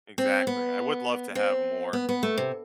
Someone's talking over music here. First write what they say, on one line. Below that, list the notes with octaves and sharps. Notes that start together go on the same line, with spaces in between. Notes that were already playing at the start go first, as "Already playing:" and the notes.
Exactly. I would love to have more
C4
B3
C4
B3
B3
A3
C3